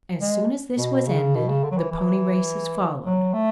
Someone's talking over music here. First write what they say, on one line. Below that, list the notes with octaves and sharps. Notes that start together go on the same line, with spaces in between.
As soon as this was ended, the pony races followed.
G#3
B2
C#3
B2
C#3
D3
F#3
E3
E3
F#3
A3